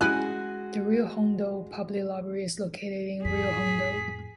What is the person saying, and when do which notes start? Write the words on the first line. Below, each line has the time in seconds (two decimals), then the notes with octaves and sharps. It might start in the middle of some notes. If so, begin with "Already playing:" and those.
The Rio Hondo Public Library is located in Rio Hondo.
0.01 G#3 C#4 E4 F#4 G#5 F#6
3.25 F2 A2 G#4 B6